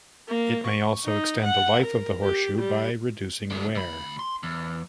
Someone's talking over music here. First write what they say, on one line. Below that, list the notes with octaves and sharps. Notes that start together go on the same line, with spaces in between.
It may also extend the life of the horseshoe by reducing wear.
A#3
C#6
D#4
F#5
A#4
G4
G3
D3 G#3
D2 B5
C6
E2